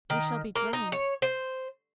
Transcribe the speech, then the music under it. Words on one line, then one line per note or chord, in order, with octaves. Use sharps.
We shall be drowned!
D#3
A#3
D#4
C#5
C5